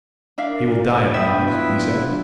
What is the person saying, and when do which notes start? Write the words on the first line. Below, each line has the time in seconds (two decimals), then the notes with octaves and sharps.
"He will die at night," he said.
0.38 D4 A#4 D5 E5 F5
0.85 D3 D6 A6
1.14 F#3 B3 D4 B4 E5 G5 B5 D#6
1.48 E4 F4 B4 E5 G5